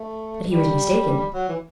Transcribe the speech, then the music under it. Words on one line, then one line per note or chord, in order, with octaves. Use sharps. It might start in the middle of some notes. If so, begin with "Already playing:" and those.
But he was mistaken.
Already playing: A3
G3
F#3
E3